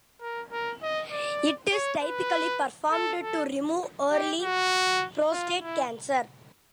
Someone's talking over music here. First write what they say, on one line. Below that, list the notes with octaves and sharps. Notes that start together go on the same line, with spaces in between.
It is typically performed to remove early prostate cancer.
A#4
A#4
D#5
D5
C#5
B4
A4
A4
G4
F#4
F4
E4